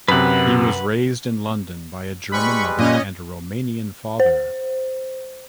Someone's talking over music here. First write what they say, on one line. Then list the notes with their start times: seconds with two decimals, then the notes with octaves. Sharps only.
He was raised in London by a German mother and a Romanian father.
0.08 F#2 C3 B4 F#5
2.32 G3 G#3 B4 B5 C#6
2.79 A#2 C#4 D#5
4.20 C5